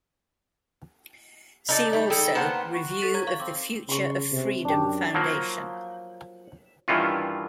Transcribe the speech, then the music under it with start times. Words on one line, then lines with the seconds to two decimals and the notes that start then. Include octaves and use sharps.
See also review of the Future of Freedom Foundation.
1.69 D#4 A4 D5
1.93 G3 D#4
2.10 G#4 A4 G5
2.35 A#3 B3 C5 F#5 A5
2.73 F#4
3.02 A4 A6 B6
3.14 C#5 A#5 G#6
3.27 F5 C#6
3.40 C4 D6
3.89 C#3 C6 C#6
4.32 C3
4.65 F#2 D4 G4
5.14 F3 F#3 A#3
6.88 G2 D#3 E3 C#4 F4